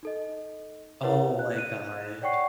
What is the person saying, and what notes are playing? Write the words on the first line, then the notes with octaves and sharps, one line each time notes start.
Oh my gosh.
D#4 A4 D#5
E4 G4 A#4 B4 C#5 F#5
F#6
F#6 D#7
C#5 D5 F#5 G5 C#6 C7